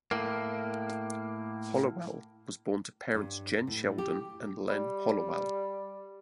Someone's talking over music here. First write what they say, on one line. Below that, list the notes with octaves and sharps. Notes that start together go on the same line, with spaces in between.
Hollowell was born to parents Jenn Sheldon and Len Hollowell.
A2 A#3
G2
A2
G4
G3